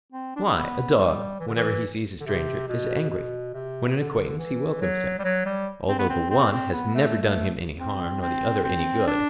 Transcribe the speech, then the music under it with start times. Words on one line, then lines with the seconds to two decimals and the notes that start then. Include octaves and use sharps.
Why, a dog, whenever he sees a stranger, is angry; when an acquaintance, he welcomes him, although the one has never done him any harm, nor the other any good.
0.12 C4
0.36 D4
0.45 C4
0.55 B3
0.97 G3
1.40 E3
1.48 D3
1.55 E3
2.21 D3
2.26 C3
2.68 B2
3.10 B2
3.54 C3
3.97 D3
4.39 E3
4.82 F#3
5.19 G3
5.24 F#3
5.46 G3
5.88 C4
5.99 B3
6.10 C4
6.31 C4
6.52 C4
6.73 B3
6.95 A3
7.22 A3
7.80 C4
8.22 C4
8.64 C4
9.07 D4